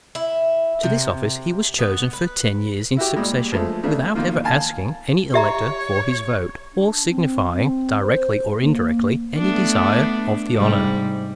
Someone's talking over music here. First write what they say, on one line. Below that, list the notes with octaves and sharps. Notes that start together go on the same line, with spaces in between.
To this office he was chosen for ten years in succession, without ever asking any elector for his vote, or signifying, directly or indirectly, any desire of the honor.
E4
C3
B3
B4
E4 F#4 G4
A#2 G3 G#3
F3 G#3 A3
C#3 A3 D4
B1 D#3 A#3 F4
F5 G#5 A5
G4 C#5 E5 A#5
D4
C4
C4
C5
A#3
A3 B3 D4
G#2 C3 G3